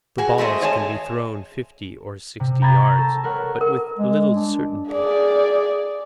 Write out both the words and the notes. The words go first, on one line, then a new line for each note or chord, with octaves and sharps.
The balls can be thrown fifty or sixty yards, but with little certainty.
F#4 G#4
G#3 A3 C4 D#5
G#4 C#5 D#5 G#5 A5
C3
G5 A#5 B5 G#6 A6
C#6
A4 A5
A#4 B4 C#5 F#5
A#4
G#3
D4
G#4 D5